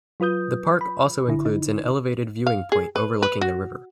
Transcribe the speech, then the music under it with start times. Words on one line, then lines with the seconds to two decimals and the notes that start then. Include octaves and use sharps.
The park also includes an elevated viewing point overlooking the river.
0.20 F#3 F4 B4 D#6 G6
0.81 B5
1.27 G#1 D3 E4
1.45 D#4
2.47 F5
2.72 G#4
2.96 B4
3.22 B4
3.41 F#4